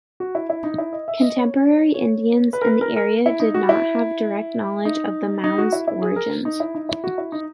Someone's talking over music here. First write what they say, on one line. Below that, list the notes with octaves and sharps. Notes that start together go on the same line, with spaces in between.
Contemporary Indians in the area did not have direct knowledge of the mounds' origins.
F#4
E4
E4
D#4
E4
D#5
E5
D#5
C#5
C#5
B4
A#4
B4
A#4
A#4
E4
D#4
F#4
E4
D#4
D#4
F#4
E4
E4
G#4
A#4
D#4
E4
D#4
E4
F#4
E4
D#4